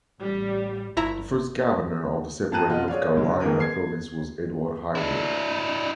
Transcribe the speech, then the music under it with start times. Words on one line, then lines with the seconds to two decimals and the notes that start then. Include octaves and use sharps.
The first Governor of the separate North Carolina Province was Edward Hyde.
0.19 A1 G3
0.97 G1 E4 A#5
2.52 F2 A5 A#5 F#6 D#7
2.69 B2 B3 F4 D#5 F#5
2.88 G#4 C#5 D5 F5
3.14 C#2 B2 D3 F#3
3.40 D#1 G#1 G#2 A#3 A#4 B4
3.60 G#6 C7
4.95 D4 E4